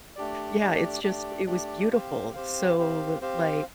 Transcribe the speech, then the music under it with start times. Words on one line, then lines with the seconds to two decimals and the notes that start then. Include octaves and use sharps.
Yeah, it's just it was beautiful. So, like,
0.16 A3 D4 G4 D5
0.59 A3 D4 G4 D5
1.04 A3 D4 G4 D5
1.46 A3 D4 G4 D5
1.91 C4 G4 C5 F5
2.33 C4 G4 C5 F5
2.78 C4 G4 C5 F5
3.21 C4 G4 C5 F5